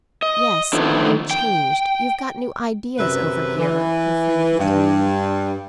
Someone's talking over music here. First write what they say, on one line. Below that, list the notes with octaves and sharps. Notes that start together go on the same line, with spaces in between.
"Yes, you're changed; you've got new ideas over here," her friend continued.
D#5
D3 D#3 F3 A3 B3 E4
G5
F#2 C3 B4 E5
E3
G2